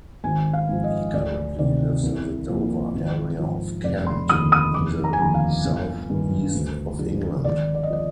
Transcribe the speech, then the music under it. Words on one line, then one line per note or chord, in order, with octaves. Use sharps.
He currently lives in the Dover area of Kent, in the southeast of England.
G#1 G#5
F5
G#2 F3
D#5
D2 D5
C3 D#3 D5
C2
A#2 F3
G#1
G#2 F3
F1 D5
C6
D#2 D3 F3 D#6
D#6
F1 D6
A#5
G#5
D#2 D3 F3 A#5
F5
G1
G2 D#3
D2
D3 F3
G#1 D5
D5
D#5
F3 D5